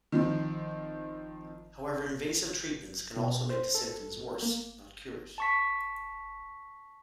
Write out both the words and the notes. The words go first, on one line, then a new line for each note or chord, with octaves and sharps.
However invasive treatments can also make the symptoms worse, not cure it.
D#3 F3 C4
B2
C5
A4
A#3
A5 C#6 B6